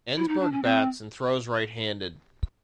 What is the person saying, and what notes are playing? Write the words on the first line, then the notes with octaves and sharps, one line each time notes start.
Ensberg bats and throws right-handed.
E4
D#4
D4
C#4
C4